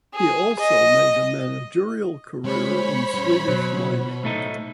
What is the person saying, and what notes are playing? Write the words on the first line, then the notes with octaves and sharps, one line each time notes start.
He also made a managerial career in Swedish mining.
G#4
D#5
G3 G#3 C5 C#5 B5
G3 C#4
B2 F#3
A2 A3 D#4